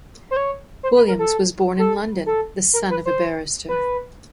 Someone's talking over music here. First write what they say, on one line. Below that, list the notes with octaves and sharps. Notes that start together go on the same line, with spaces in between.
Williams was born in London, the son of a barrister.
C5
C#5
C5
B4
A#4
A4
A4
A4
A#4
B4
C5
B4